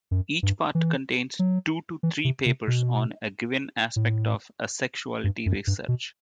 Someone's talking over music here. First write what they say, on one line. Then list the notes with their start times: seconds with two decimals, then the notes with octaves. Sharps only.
Each part contains two to three papers on a given aspect of asexuality research.
0.11 F#2
0.43 G2
0.75 E3
1.39 F#3
2.03 E3
2.25 C3
2.46 C3
2.67 B2
3.96 A2
5.24 G2
5.46 F#2
5.67 G2
5.88 B2